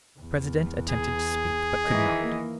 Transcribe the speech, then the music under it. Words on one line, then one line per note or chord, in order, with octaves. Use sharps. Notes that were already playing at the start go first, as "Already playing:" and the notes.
The president attempted to speak, but could not.
E2
G#4
D#3 E3 D#5
A#3